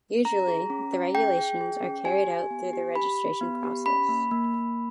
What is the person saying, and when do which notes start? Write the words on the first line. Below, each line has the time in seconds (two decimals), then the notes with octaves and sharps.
Usually, the regulations are carried out through the registration process.
0.25 C#4 A#5
0.48 G#4
0.70 C#4
0.93 C#4
1.15 G#4 G5
1.38 G#4
1.61 G#4
1.83 C#4
2.05 G4 G#5
2.28 G4
2.51 B3
2.73 G4
2.95 G4 B5
3.19 G4
3.41 B3
3.64 G4
3.86 C#4 B5
4.09 A#3
4.31 A#3
4.54 A#3